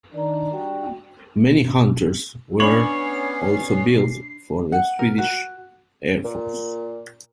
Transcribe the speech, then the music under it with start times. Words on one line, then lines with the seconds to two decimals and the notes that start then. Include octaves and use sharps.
Many Hunters were also built for the Swedish Air Force.
0.14 D#3 D4 D5 A#5
0.53 G3 D4 F#4 G5
2.60 B3 C#4 D4 C#5 B5 C7 F#7
4.72 F#5
4.99 A#4
5.18 F#4
6.24 A#2